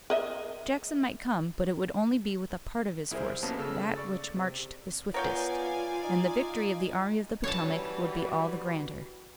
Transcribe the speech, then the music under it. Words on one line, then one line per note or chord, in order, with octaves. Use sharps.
Jackson might come, but it would only be with a part of his force, that which marched the swiftest, and the victory of the Army of the Potomac would be all the grander.
A#4 D#5 E5
C2 E4 G#4 A#4 C5
B1 B2 A#3 C#4 A5 B5
C#3 A3 A4 E6
D5 C#6 A6
C3
B3 F4 A#4 C#5 D5 F5 G5 G#5
D#4
E3 G3 F#4 C#5 A5